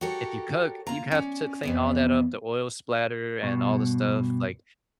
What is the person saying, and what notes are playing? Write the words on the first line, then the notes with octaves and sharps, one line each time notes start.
if you cook, you have to clean all that up, the oil splatter and all the stuff like,
F#4 G4 A4 A#4 C#5
A#3 F4 F5 A#5
C#4 D5
F2 E3 B3
G2 B2